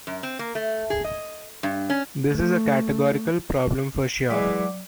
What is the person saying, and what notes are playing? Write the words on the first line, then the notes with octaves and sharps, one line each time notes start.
This is a categorical problem for sure.
F#2
C4
A#3
A3
G#4
D#5
G2
C#4
A3
E3 F#3 G#3 D5 D6